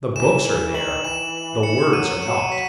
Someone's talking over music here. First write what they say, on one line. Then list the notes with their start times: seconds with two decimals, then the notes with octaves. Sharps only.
The books are there--the words are not.
0.16 E3 E7
0.75 D#3 F#7
1.04 E3 E7
1.63 C#7
1.92 F#3 D#7
2.22 F#3 E7
2.52 B6